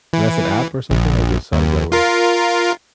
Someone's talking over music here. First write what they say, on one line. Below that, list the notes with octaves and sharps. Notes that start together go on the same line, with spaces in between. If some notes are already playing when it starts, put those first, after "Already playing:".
And that's an app or something, or just how does that work?
E3
A#1
D#2
F4 A#4